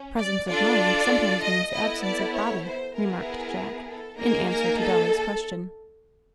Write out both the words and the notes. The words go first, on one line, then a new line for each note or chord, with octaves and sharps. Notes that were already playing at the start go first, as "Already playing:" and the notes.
"Presence of mind sometimes means absence of body," remarked Jack, in answer to Dolly's question.
Already playing: C#4
D5
D4 F4 A4 D5
D#5
B3 E4 A4 D#5
D5
C#5
C5
B3 E4 G#4 A#4
A4
A#3 D#4 G#4 A#4
A#4
A4